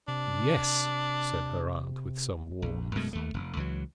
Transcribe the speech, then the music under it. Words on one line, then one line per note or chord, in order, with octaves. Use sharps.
"Yes," said her aunt, with some warmth.
C3 D4
A#1
F#2 B2 G#3 A3
D#2 A3
F1
C#2 E3 F#3